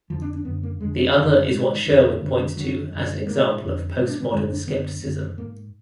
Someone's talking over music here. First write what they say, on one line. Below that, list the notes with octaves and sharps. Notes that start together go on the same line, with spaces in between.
The other is what Sherwin points to as an example of postmodern skepticism.
F2 D3 F3
D4
D4
F#2 D3 B3
A#3
F2 D3 G#3
F#3
F#2 D3
G#2
F2 D3 F3
F#2 D3
F#2 D3 F#3
F#2 D3
G#2 A#3
F2 D3
G#2 B3
D4
B3
F#2 D3 G#3
D4
F#2 D3 B3
F#2 D3
G#2 A#3